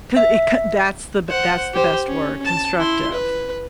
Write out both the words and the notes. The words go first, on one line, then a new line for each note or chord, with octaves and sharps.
Co it, c that's the b that's the best word, constructive,
E5
C5 F#5
G4 C5
C#4
A5
E4 C6
B4